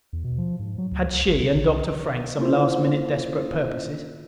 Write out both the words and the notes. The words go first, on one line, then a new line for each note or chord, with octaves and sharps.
Had she and Dr. Frank some last minute desperate purposes?
E2
B2
F3
G#2
F#3
D2
C#2
G1
C#3
A1
C2
A#3 C#4 E4 F4 C5